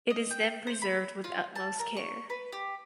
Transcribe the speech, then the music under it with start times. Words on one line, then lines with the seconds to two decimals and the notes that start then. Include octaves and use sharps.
It is then preserved with utmost care.
0.10 D#5
0.31 G5
0.67 C5
0.82 B5
1.24 F4
1.55 A5
1.79 A#4
1.97 C#6
2.30 B4
2.53 G4